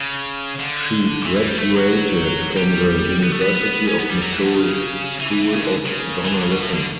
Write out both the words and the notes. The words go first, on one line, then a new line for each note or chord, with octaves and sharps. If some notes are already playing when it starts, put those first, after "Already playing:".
She graduated from the University of Missouri's School of Journalism.
Already playing: C#3
D3
E3
E3
G3
A3
F#3
G3
B3
A3
B3
C#4
B3
G3
F#3
E3
D3
C#3
E3
E3
E3
C#3
D3
C#3
E3
D3
C#3
B2
A2
D3